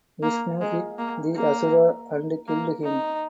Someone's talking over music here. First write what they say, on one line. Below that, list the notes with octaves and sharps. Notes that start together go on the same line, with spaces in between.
Vishnu hit the asura and killed him.
A#3
G#3
A#3
A#3
A#3
D#4